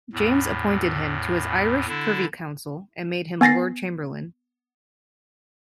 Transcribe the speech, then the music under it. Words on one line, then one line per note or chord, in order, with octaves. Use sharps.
James appointed him to his Irish Privy Council and made him Lord Chamberlain.
E2 A2
D3 D4 E4
B3 G#5 A6 A#6 C7